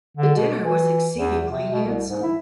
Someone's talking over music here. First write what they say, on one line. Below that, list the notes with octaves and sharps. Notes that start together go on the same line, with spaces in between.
The dinner was exceedingly handsome.
D3
B2
E3
E2
C3
B2
C2
G#2
E4